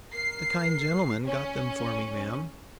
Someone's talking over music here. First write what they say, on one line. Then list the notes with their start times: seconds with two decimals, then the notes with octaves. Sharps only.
"The kind gentleman got them for me, ma'am."
0.13 A#4 C7
1.26 C#4 C#5